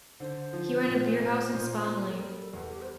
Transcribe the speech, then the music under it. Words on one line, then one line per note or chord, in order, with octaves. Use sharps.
He ran a beer house in Spon Lane.
D3 C5
F3
A#2
A#2
A#2
A#3
G4
A4
G3 A#4
A4
E2 A4
G4
C5